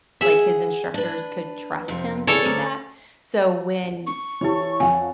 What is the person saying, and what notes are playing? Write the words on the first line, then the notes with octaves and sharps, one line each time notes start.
like, his instructors could trust him to do that, so when
G#4 E5 F#5
D4 B4
F2 C3
C#3 E3 A4 C#5 D5
D2 A#4
C#6
E3 E4 G4 A4 C#5
F2 F5 F#5 G#5